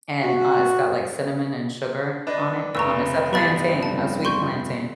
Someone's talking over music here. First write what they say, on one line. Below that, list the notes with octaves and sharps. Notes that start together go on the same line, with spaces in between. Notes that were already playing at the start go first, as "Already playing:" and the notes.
and, uh, it's got, like, cinnamon and sugar on it, um it's a plantain, a sweet plantain.
F#4
D4 B4 D#5
F1 A#5 C#6 E6
G1 F2 G3 B3 D#4 B4 B5 A6
A5
C6 C#6 G6